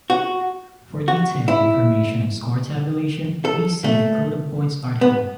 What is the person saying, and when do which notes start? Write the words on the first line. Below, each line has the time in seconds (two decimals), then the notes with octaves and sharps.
For detailed information on score tabulation, please see the Code of Points article.
0.10 F#4
1.08 F#4
1.48 E4
3.45 A4
3.84 A3
5.01 B3